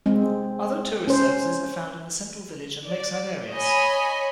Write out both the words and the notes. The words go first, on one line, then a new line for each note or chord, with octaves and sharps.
Other tourist services are found in the central village and lakeside areas.
G#3 C4
C#4 C5
D5
C#5 D#5 G#5 B5